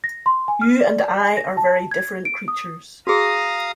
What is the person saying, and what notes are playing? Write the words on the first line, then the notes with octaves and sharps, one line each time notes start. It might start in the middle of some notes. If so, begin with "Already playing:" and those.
You and I are very different creatures.
A#6
C6
G#5
F6
D5
G#5
A#6
A5
G#6
D7
D#6
F#4 G#4 F5 A#5 D#6